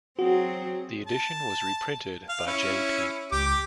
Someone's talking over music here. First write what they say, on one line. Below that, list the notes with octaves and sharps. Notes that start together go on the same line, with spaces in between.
The edition was reprinted by J.-P.
F#3 C4 F#4 G#4
A5
F5
C#4 E4
C#2 G4 D6